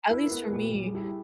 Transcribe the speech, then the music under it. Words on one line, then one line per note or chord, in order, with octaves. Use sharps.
at least for me,
E4 B4
A#4
B3 A4
G#4
A#2 G4
G3
G#4
E4 G4 A4